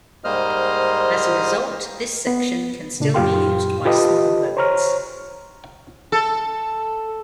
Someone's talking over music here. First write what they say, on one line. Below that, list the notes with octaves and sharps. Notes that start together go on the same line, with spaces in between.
As a result, this section can still be used by small boats.
G#2 G3 A#3 C5 D#5 F6
B3
A#2 C#3 D4
F#2 A#2 G4 F5 G5 C6
F4 G4 A4 B4 D#5
C5 C#5 A#5 C#6 F6
A4